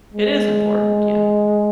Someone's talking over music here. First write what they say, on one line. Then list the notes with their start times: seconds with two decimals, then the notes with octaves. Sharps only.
It is important. Yeah.
0.14 G#3